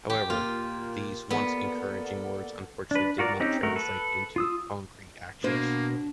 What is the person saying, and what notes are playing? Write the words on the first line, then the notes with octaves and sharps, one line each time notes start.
However, these once encouraging words, unfortunately, did not translate into concrete actions.
G4
A#2 A#3 F4
A#3 B3 A4 D5
D4 B4
F4 F#4 A#4 D5
C4 C#4 D#4 G4
A3 F#4 A#4
A4 B4
F4 D#6 E6
B2 A#3 D4 C5